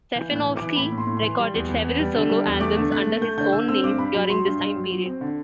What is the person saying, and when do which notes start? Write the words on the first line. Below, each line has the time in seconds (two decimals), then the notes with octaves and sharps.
Stefanovski recorded several solo albums under his own name during this time period.
0.15 E3 G6
0.31 A2 F#6
0.46 E3
0.57 E3 D6
0.76 A2 B5
0.92 A2
0.98 C6
1.07 A2
1.17 C6
1.22 E3
1.39 G3
1.54 E2
1.69 E2
1.84 B3
1.99 G3
2.15 D3
2.30 G3
2.46 E2
2.60 A3 D6
2.77 D3
2.91 A3 F#6
3.07 A3
3.21 A3 G6
3.37 D3 G6
3.52 D3 E6
3.68 C4 E6
3.84 G2 D6
3.99 G2 B5
4.14 F#3 B5
4.30 F#3 C6
4.45 G2 C6
4.60 G2
4.75 F#3
4.90 F#3
5.06 C4
5.21 D3